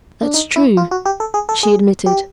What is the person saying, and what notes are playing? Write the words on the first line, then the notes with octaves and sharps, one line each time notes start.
"That's true," she admitted.
D4
D#4
E4
F4
F#4
G4
A4
G#4
A4
G#4
G4